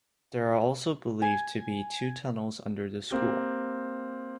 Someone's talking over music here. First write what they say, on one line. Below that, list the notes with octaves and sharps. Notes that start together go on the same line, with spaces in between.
There are also believed to be two tunnels under the school.
G#5
A#3 C4 G4